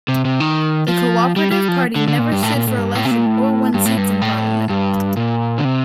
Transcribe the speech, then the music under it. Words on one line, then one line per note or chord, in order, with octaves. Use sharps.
The Co-operative Party never stood for election or won seats in Parliament.
C3
C3
D#3
F3
G3
G3
F3
D3
D3
A#2
G2
A2
A#2
A2
G2
A2
C3
A#2
A2
G2
A2
G2
A2
G2
A#2
D3
C3